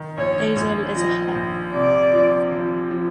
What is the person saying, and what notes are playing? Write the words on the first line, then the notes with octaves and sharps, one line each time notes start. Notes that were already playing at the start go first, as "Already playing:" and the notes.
Basil is a herb.
Already playing: D#3
A#1 C#5
A#1
F3 D#5
A#1
C3 D5
F3
F3
F3